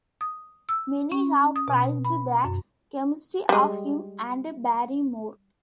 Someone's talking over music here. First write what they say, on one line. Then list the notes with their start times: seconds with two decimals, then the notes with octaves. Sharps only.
Many have praised the chemistry of him and Barrymore.
0.21 D#6
0.69 E6
1.12 C#4
1.56 D#6
1.68 B2
2.05 B5
2.44 F#2
3.49 G3 G#3